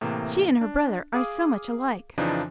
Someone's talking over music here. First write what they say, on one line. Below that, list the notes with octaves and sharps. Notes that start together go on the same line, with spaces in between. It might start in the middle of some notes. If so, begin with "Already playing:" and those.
She and her brother are so much alike!
A2 C3 E3 A#3
D4
G#4 F5 D6 D#6
F2 C#3 E3 F3 D4 D#4